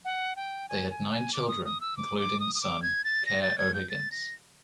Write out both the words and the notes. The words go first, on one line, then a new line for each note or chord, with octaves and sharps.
They had nine children including son Cahir O'Higgins.
F#5
G5
G#5
G#5
G#5
D6
D#6
D#6
E6
D6
D6
D#6
D#6
D6
G#6
A6
A#6
A6
G#6
G6
A6
A#6